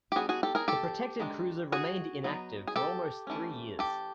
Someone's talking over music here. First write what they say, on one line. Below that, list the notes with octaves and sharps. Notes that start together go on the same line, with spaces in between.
The protected cruiser remained inactive for almost three years.
G4
G3 B3 D4 F#4 G#4
F#4 G#4
G4 A4
G#4 A#4
G4 A4
D#3 G#3 B3 D4
F#4 G#4
F#3 B3 D#4
G#4
G4 A4
E3 A3 C#4
G4 A4